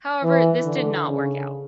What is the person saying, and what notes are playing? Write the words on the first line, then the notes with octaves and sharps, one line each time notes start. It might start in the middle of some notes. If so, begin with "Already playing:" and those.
However, this did not work out.
E3
D3
C#3